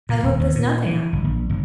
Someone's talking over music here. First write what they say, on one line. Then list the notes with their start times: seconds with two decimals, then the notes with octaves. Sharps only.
I hope there's nothing up.
0.09 A#2
0.23 D#1
0.40 D#2
0.55 A#2
0.86 E3
1.13 G1
1.25 A#1
1.50 G1